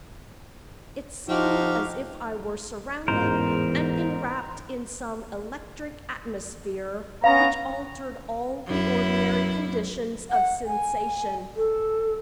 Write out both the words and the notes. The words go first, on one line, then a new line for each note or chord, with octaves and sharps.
It seemed as if I were surrounded and enwrapped in some electric atmosphere which altered all the ordinary conditions of sensation.
F3 D#4 F#4 G4 F5
A1 E2 G#2 A#4 C5
B3 C#4 F5 A#5
F#2 E4
F#5
G#5
A4